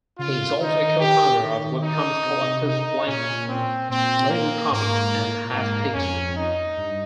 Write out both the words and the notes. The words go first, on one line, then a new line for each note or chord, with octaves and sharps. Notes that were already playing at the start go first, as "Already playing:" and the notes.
He is also a co-founder of webcomics collectives Blank Label Comics and Halfpixel.
C#3 F4
D#3 D#4
G4
D#3
D#4
C3
D#4
A#2 C#4
C4
A#2 C4
A#3
G#2 A#3
A#2
G#2 A#3
F2 C#4
D#4
G2